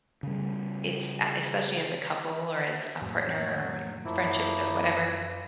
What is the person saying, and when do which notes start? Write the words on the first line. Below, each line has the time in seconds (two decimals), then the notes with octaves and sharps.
It's uh, especially as a couple, or as a partner, or friendships, or whatever,
0.23 C#3 G3
3.02 F2 A2 F#3 A#3
4.05 F#2 F3 F#3 A#3 E4